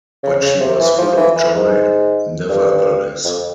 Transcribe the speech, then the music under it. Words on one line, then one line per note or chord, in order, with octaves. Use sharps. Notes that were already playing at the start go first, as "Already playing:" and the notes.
But she was full of joy, nevertheless.
C#3
C#3
C3
E3
F3
E3
E3
G#2
G2
F2